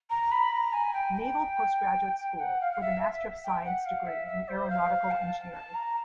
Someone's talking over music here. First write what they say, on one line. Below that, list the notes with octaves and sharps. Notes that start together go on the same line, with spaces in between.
Naval Postgraduate School with a Master of Science degree in Aeronautical Engineering.
A#5
B5
A#5
G#5
G5
G5
G5
F#5
F5
F5
E5
E5
G5
F#5
F5
E5
E5
C5
F5
A5
A5
A#5